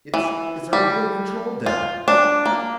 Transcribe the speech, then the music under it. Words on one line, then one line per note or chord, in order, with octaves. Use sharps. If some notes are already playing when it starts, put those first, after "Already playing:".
"It's--it's a real control deck!"
E3
G3
F4
D4
A#3